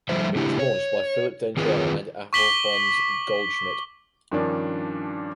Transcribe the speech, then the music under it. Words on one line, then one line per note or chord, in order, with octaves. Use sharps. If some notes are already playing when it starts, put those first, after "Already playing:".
It was launched by Philipp Dengel and Alfons Goldschmidt.
F3 G3 A3 C5 E5
C#3 A3 D4 E4 G4
C#5
D#3 C4 F4 G#4 B4
C#6 D6 B6 F#7 G7
G2 D#3 F3 C#4 D4